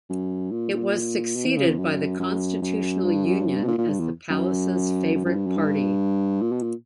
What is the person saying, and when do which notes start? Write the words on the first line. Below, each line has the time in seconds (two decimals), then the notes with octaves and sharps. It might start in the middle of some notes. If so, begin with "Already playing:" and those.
It was succeeded by the Constitutional Union as the palace's favourite party.
0.09 F#2
0.51 A#2
0.73 A#2
1.36 B2
1.46 E3
1.57 C#3
1.67 E2
1.78 F#2
2.20 F#2
2.62 F#2
3.04 G2
3.25 F#2
3.41 G2
3.46 F#2
3.57 G2
3.63 B2
3.68 A#2
3.78 A#2
3.89 G2
3.99 E2
4.30 F#2
5.14 F#2
5.25 F#2
5.36 G2
5.47 F#2
5.57 G2
6.41 A#2
6.52 B2
6.62 A#2